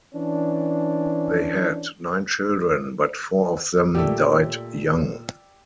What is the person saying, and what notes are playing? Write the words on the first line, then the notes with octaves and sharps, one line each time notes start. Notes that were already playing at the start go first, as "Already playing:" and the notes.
They had nine children but four of them died young.
E3 C#4 D4
A#2 A3 G4 D5 E6